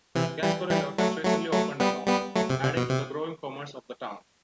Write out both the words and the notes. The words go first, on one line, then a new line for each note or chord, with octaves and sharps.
Gasparillo has recently opened a mall, adding to the growing commerce of the town.
C3 E3
E3 G3
E3 G3
F#3 A3
F#3 A3
F#3 A3
G3 B3
G3 B3
F#3 A3
C3
C3
B2
C3